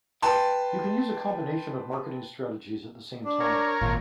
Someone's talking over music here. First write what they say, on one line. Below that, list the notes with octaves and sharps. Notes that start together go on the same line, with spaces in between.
You can use a combination of marketing strategies at the same time.
B4 G5 A5 C6
D4
A#4 C#5
G#1 A#2 F4